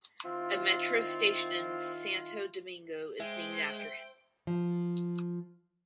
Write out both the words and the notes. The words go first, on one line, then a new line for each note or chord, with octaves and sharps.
A metro station in Santo Domingo is named after him.
D#3 C4 E4 F4
G#3 C5 E5 G5
F3